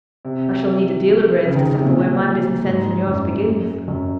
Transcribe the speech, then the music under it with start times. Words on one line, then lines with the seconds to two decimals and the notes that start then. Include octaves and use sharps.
'I shall need a deal o' brains to settle where my business ends and yo'rs begins.'
0.25 C3
1.45 C#3
1.55 D#3
1.66 C#3
1.75 C3
1.85 A#2
2.66 G#2
3.07 F#2
3.88 F#2